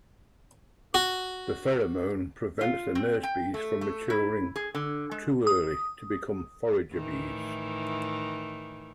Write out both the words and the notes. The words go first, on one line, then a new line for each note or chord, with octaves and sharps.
The pheromone prevents the nurse bees from maturing too early to become forager bees.
F#4
F4
C4
G5
A3
A3
E4
G#4
D3
G#3
D#6
A2 D#3 E3